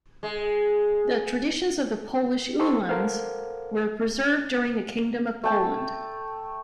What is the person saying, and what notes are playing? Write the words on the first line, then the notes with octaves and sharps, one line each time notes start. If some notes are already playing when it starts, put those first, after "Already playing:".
The traditions of the Polish uhlans were preserved during the Kingdom of Poland.
G#3
G4 A4 C5 C6 C#6 E6
A4 A#4 C5 F5 F#5
A3 G5 A5